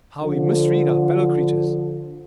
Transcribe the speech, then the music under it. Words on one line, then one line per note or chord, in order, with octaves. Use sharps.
How we misread our fellow creatures.'
D3 F3